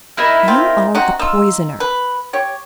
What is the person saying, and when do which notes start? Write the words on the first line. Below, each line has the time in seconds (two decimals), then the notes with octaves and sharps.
"You are a poisoner."
0.17 D#4 E4 A#4
0.48 C4 F4
0.95 C3 D#4 F#4
1.19 D#4 F4 E6
1.80 B4
2.33 G4 C#5